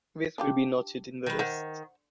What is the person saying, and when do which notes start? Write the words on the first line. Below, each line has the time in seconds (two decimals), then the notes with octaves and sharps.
This will be noted in the list.
0.38 D4 F4 G4
1.26 D#3 B4
1.39 D#3 C5 E5 F#5